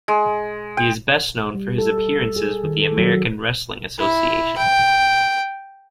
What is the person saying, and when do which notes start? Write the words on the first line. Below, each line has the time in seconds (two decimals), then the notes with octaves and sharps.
He is best known for his appearances with the American Wrestling Association.
0.08 G#3
0.77 G5
1.55 G3
1.78 A4
1.98 A4
2.36 G#4
2.64 D#3
2.81 A4
2.98 F#3
3.98 E4
4.58 G5